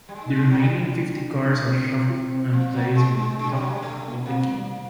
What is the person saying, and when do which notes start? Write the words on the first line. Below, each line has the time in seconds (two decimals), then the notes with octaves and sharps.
The remaining fifty cards are shuffled and placed on the top of the King.
0.09 G3
0.15 G#3
0.22 D#4
0.36 G#3
0.43 D#4
0.51 F#3 E4
0.59 G3
0.79 D4
1.66 C4
2.53 F3
2.74 F#3
2.95 G#3
3.18 G#3
3.39 G#3 D4
3.50 G3
3.60 F#3
3.70 G3
3.82 A3
4.08 A#3
4.17 B3
4.25 A#3 C4
4.55 G3